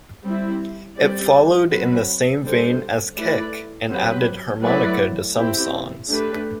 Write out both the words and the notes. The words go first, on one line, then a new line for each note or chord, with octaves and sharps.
It followed in the same vein as "Kick", and added harmonica to some songs.
G3 C4 E4
G3 C4 G4 D5
F#3 C4 F#4 B4
G3 D4 A4 C5
A3 E4 B4 D5
F#3 C4 G4 B4
F#3 A3 E4 B4 D5
C4 E4 G4
A3 D4 G4 B4